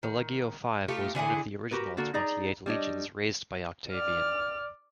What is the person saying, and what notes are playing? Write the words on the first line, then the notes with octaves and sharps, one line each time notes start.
The Legio Five was one of the original twenty-eight legions raised by Octavian.
D#3
A3 D#4 F4 G4
D3 E3 E4 G#4
F#4 G4 A#4 B4
D3 A#3 F#4 A4
D#4 G#4 D5 A#5
G3 D4 C#5 D#5
D5 F6